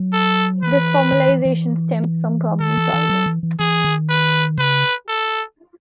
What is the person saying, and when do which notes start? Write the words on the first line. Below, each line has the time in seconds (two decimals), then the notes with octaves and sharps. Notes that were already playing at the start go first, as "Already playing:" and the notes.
This formalization stems from problem solving.
Already playing: F#3
0.12 A4
0.62 E3 B4
1.12 D#3
1.29 E3
1.45 E3
2.60 D#3 A4
2.78 E3
2.94 E3
3.10 F#3
3.26 E3
3.43 E3
3.59 E3 G#4
3.85 D#3
4.10 B4
4.58 C#3 B4
5.08 A4